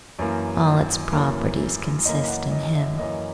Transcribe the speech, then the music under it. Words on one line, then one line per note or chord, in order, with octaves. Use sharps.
All its properties consist in him.
F#2 E3 A#3
F#2 E3 A#3
F#2 E3 A#3 D#5
F#5
D#5
E5
F#2 E3 A#3 D#5